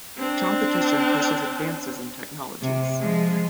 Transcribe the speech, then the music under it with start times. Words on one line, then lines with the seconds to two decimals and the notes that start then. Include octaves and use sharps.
Competition pushes advances in technologies.
0.18 C4 D4
2.62 C3
2.99 F3 G#3